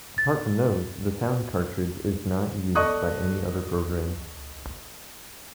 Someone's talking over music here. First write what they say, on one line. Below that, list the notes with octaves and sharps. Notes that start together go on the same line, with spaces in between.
Apart from those the Sound Cartridge is not used by any other programs.
A6
A4 D5 D#5 C#6 D#6 F#6